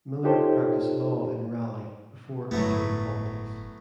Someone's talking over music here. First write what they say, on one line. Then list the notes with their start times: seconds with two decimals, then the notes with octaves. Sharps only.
Miller practiced Law in Raleigh before entering politics.
0.24 D#4 F4 G4 A4 C5 C#5
2.51 G1 A2 F#3 A3 B3